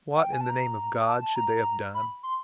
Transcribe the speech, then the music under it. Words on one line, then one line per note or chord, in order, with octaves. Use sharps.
What, in the name of God, should they have done?
F#5
G5
G#5
A5
A#5
A5
A5
A#5
B5
C6